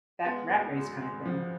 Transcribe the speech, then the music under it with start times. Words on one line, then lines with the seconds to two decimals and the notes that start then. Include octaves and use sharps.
that rat race, kinda thing.
0.25 G#3 B3
0.50 D2
0.75 G#3
1.01 G#3
1.26 F3